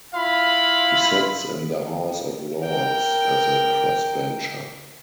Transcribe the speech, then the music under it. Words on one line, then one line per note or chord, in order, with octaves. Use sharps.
He sits in the House of Lords as a crossbencher.
E4 F4 F5 B5
A#4 G5